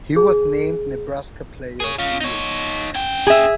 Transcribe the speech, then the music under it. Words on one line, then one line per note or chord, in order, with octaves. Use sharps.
He was named Nebraska player of the year.
G#4
G#4 C#5
C#4 F4
D#4 C#5
C#4 G5
G#4 E5